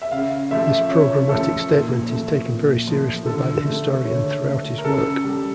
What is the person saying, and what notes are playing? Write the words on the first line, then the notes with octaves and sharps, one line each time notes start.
This programmatic statement is taken very seriously by the historian throughout his work.
E5
C#3 F5
F3 A3 E5
C#3 C#5
F3 A3 A4
A#2
F3 A3
A#2
F3 A3
D3 A4
A3
D3 C#5
A3
A#4
C#3 A4
G3